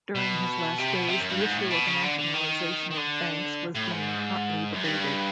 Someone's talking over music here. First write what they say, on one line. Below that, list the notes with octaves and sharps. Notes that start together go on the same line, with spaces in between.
During his last days, the issue of nationalization of banks was being hotly debated.
B2
C3
B2
C3
F#2
G2
G#2
A#2
A2
B2
C#3
D3
D3
D#3
D#3
D3
A2
G#2
F#2
G2